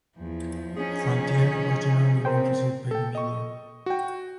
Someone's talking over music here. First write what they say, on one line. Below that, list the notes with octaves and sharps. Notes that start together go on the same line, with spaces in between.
"Frontier" was generally well received by the media.
E2 F3
C#4 D#4 G#4
C4 A#4 C5 G5
A4 G5
D#5 C#6
F#4 G5